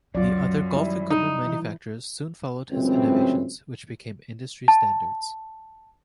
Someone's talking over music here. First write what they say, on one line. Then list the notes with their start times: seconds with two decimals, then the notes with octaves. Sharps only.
The other golf equipment manufacturers soon followed his innovations, which became industry standards.
0.15 C#2 F#2 F#3 F4 D5
0.74 D#3 G3 E4
1.10 D#4
1.46 E3
2.72 C#2 F#2 A2 E3 C4
4.68 A5